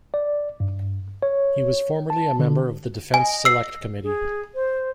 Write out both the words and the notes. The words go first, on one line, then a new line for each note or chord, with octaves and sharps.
He was formerly a member of the Defence Select Committee.
D5
G2
C#5
A5
D3
D#5 G#5
E6 C7
G#4
C5